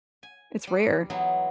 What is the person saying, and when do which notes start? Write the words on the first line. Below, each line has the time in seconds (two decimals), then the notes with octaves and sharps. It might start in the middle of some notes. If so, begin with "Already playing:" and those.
It's rare.
0.23 G#5
0.67 G3
1.10 E3 F#3 G#3 B3 D#4